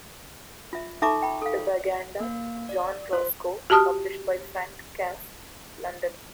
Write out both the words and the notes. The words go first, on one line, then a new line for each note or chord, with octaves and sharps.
"The Baganda" by John Roscoe, published by Frank Cass, London.
F4 E5
D#4 A4 E5 A#5 C#6 D6
G5 B5
A4 F5
A#3 F5
D5
F4 C5 C6
F#4 G4 A5 D#6 F6